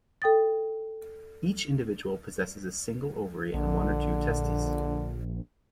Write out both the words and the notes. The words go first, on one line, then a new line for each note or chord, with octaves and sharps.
Each individual possesses a single ovary and one or two testes.
A4 G5 D#6 A6
A#1 D3